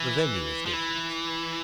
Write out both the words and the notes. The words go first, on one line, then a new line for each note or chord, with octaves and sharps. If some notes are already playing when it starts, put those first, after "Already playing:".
The venue is different.
Already playing: E3
F3
E3